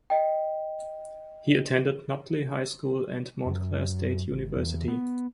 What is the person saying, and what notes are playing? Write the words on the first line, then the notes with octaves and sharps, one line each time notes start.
He attended Nutley High School and Montclair State University.
D#5 G5
F#2
G#1
E2
B3